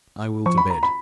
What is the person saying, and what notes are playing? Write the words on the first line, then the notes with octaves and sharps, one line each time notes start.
I will to bed.
F3 C#6
B5
A#5
B5